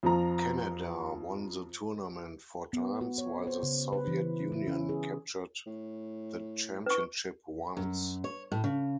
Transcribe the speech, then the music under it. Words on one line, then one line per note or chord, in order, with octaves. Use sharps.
Canada won the tournament four times, while the Soviet Union captured the championship once.
F2 F3 A#5
B3
F#4
C#5
C5
C#3
B4
E3
E4
C#4
G#4
A2
B4 C#6
F#2
C#5
A2
C#3